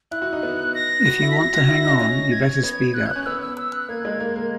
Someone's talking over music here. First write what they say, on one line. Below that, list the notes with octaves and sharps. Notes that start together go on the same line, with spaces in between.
If you want to hang on you better speed up.
E4 F#6
F#4
D#4
B3
A#6
F#4
E4
B6
A#6
F#4
E4
D#4
C#4 A#6
G#6
B3
F#6
G#6
F#6
C#4
B3 E6
E6
E6
F#6
A#3 G#6
G#3
A#3
A#3